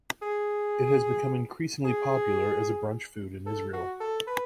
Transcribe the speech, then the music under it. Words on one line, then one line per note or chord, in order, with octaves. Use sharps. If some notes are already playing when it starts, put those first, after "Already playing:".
It has become increasingly popular as a brunch food in Israel.
G#4
G#4
A4
F#4
A4
B4